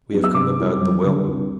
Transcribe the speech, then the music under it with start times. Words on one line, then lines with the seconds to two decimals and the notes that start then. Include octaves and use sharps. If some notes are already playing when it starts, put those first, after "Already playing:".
"We have come about the will."
0.11 F#3 B3 D4
0.24 E6
0.34 C3 D6
0.58 E3 G3 C4
0.81 F#2
1.05 D3 G3 D4
1.28 C2